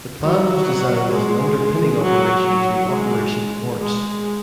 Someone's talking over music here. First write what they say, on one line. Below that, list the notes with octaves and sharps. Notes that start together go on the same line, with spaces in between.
The plan was designed as an underpinning operation to Operation Quartz.
F#3
G#3
F#3
F#3
G#3
G#3